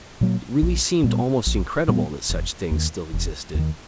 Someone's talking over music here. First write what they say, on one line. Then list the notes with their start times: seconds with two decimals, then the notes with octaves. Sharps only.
It really seemed almost incredible that such things still existed.
0.21 A#2 F#3 A#3
0.62 A#1
1.04 A#2 G3 B3
1.46 A#1
1.88 A#2 G3 B3
2.29 E1
2.71 D#2 D#3
3.13 E1
3.55 D#2 D#3